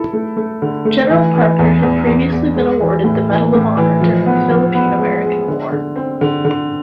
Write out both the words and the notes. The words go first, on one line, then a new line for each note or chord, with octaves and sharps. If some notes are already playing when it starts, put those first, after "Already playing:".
General Parker had previously been awarded the Medal of Honor during the Philippine-American War.
Already playing: E4 A4
A3
A3
D3
A3
E3
E3
E2
E2
E2
E2
G#3
E3
A2
E3
A2
E3
F3
B3
F3
B3
G#3
G#3
D3
D3
C4
D3
D3